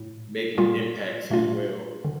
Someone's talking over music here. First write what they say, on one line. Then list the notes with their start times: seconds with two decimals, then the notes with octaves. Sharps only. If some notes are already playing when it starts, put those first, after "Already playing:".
making impacts as well,
Already playing: A2
0.58 A#2 G3 A#3 F4
1.30 A#2 A3 D4 F4
2.05 D3